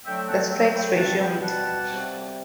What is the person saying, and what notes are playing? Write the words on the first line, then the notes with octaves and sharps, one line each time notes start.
The strikes resumed.
D3 F#3 A3 C4 E5 G5
F#5 A5
E5 G5
G5 B5
B2 G3 C4 F#5 A5
G5 B5
F#5 A5
C3 G3 C4